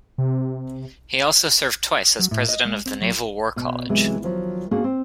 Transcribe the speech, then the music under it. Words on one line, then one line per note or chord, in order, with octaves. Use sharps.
He also served twice as president of the Naval War College.
C3
F#3
A2
D#5
G#3
C4
F#3
B2
C3 E3 F#3 G#3
D#3 F3 F#3
A#3 B3 C#4 D4 F#4 G#4
C4